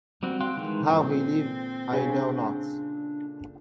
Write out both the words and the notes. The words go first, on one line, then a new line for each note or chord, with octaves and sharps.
How he lived I know not.
G3 C4 F#4
F5 G5 C6 F#6
D#3 E3 G#3
A#2 D3 E3 C4
C#3 D4